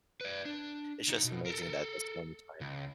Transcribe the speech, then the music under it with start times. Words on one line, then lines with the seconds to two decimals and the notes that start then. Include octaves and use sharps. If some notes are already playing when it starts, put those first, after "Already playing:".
it's just amazing that that's the only time
0.21 B4 D5
0.45 D4
1.08 C#2 D#4
1.25 B2
1.46 A4 A#4
2.61 C#2